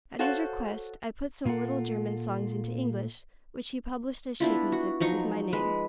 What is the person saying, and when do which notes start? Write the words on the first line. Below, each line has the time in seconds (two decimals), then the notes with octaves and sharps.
At his request, I put some little German songs into English, which he published as sheet-music, with my name.
0.19 F#4 A4 C5 C#5 F5 F#5
1.45 A#2 A#3 F4 A4 F#5
4.40 B3 D4 E4 F4
4.72 F#4
5.00 F3 F#3 D#4 C#6
5.53 G#3 B4